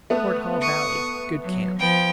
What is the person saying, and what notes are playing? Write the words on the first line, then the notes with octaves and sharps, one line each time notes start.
Fort Hall Valley.--Good camp.
A3 B3
C#6 D#6
F#3
F3 B3 G5